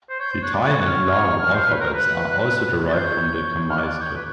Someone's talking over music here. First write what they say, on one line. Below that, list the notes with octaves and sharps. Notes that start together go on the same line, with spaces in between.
The Thai and Lao alphabets are also derived from the Khmer script.
C5
C#5 G6
C5
C#5 F#6
D5
C#5 F#6
F6
F6
C5
B4
A#4
B4
F#6
C#5 A6
C5 G6
C#5
F6
D5 F#6
C#5 G6
B4